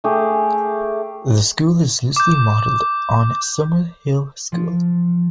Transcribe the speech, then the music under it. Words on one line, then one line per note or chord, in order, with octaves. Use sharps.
The school is loosely modelled on Summerhill School.
A3 G4 G#4
D6 G6
F3